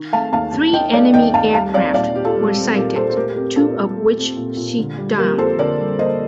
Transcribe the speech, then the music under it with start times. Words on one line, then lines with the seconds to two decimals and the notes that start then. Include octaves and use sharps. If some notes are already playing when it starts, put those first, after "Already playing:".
Three enemy aircraft were sighted, two of which she downed.
Already playing: D#3
0.13 A3 F5 A5
0.33 D#2 F5 A5
0.53 D#2
0.73 D#3 D#5 G5
0.93 A3 D5 F5
1.14 D#2 D#5 G5
1.33 D#2 F5 A5
1.54 G3 F5 A5
1.74 C4 D5 F5
1.94 A#2 D5 F5
2.14 A#2 G4
2.24 F4 A4
2.36 G3
2.56 C4
2.75 A#2 G4 A#4
2.96 A#2 A4 C5
3.10 C5
3.16 A3 G4 A#4
3.36 C4 G4 A#4
3.56 A#2 F4 A4
3.77 A#2
3.97 A3
4.17 C4
4.37 A#2
4.57 A#2
4.78 D3
4.98 G3
5.18 A#3 G4 A#4
5.38 F2 A4 C5
5.58 D3 A#4 D5
5.79 G3
5.99 A#3 C5 D#5